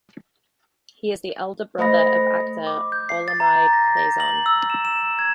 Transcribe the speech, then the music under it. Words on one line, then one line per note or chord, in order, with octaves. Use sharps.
He is the elder brother of actor Olamide Faison.
A3 C5 D#5 B5 A#6
D6
G6
C7
A6
A#5
A#6
A#6
F#7
E6
E7
E7
G#6